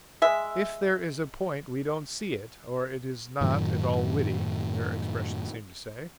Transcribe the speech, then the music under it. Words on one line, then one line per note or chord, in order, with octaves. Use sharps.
"If there is a point we don't see it, or it is not at all witty," their expressions seemed to say.
G#3 E5
F#2 A2 D#3 F#3